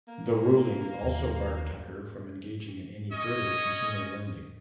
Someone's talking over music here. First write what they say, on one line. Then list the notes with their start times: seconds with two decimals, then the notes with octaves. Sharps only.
The ruling also barred Tucker from engaging in any further consumer lending.
0.08 A#3
1.02 D#2
3.12 C#4 C#5 D#5